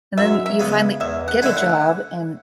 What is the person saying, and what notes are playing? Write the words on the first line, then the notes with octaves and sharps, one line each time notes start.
and then you finally get a job, and
F#2 E5
E5
C#3 G#3 B3
E2 E5
F#5
D3 A3 C#4 E4 E5
F#5